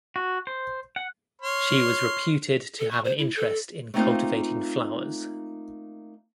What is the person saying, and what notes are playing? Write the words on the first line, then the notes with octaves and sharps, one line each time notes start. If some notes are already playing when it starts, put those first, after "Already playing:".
She was reputed to have an interest in cultivating flowers.
F#4
C5
F#5
C#5 C6 F6
A4
C#6
C5
E4
A4
A3 A#3 C4 D#4 F4 F5